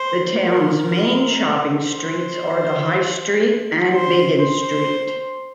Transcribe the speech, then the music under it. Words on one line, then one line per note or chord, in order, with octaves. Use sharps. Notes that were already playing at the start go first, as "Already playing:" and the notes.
The town's main shopping streets are the High Street and Biggin Street.
Already playing: C5
A#4
C5
C5
C5